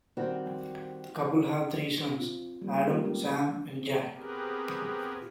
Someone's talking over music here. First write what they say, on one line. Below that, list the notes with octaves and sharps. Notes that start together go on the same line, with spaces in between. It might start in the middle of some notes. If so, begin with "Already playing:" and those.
The couple have three sons: Adam, Sam and Jack.
D#3 G3 C4 F#4 G4
C4 F4
G3 A#3
G#3 A#3 F4 G4 A#4 B4
C#4 G4 A4
B3 C4 G4 G#4 A#4 B4